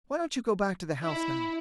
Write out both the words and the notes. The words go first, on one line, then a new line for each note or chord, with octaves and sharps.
"Why don't you go back to the house now!"
E4